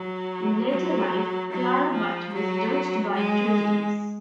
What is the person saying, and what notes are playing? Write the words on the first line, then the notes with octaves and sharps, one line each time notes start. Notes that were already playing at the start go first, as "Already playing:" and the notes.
In later life, Clara Butt was dogged by tragedies.
Already playing: F#3
F#3
F#3
F3
F#3
G#3